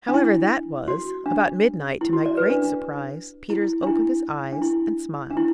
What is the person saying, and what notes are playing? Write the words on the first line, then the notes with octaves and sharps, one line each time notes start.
However that was, about midnight, to my great surprise, Peters opened his eyes, and smiled.
D4
E4
F#4
D4
E4
F#4
D5
B4
D4
D4
E4
D4
E4
D4
E4
D4
E4